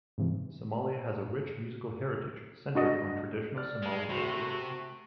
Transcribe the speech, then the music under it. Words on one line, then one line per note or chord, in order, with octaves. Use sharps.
Somalia has a rich musical heritage centered on traditional Somali folklore.
G#2 C3 E3
D4 F#4 D#5
D5 F6
G#3
C3 A3 F#4 B5